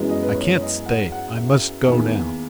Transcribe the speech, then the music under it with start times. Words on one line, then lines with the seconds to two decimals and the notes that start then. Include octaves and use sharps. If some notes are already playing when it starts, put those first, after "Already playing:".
"I can't stay, I must go now...."
Already playing: F#2 E3 G#3 B3
0.09 D#5
0.23 B4
0.35 C#5
0.61 D#5
0.86 F#5
1.12 F#5
1.37 E5
1.88 E2 D#3 A#3